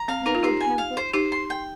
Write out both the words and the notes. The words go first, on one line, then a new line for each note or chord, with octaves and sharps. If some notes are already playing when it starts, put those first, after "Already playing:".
those little pamphlets.
Already playing: A#5
C4 F5
D#4 A#4
F4
D#4 G4 C5
G#5
F5
C5
D#4 G4 C5
C6
G5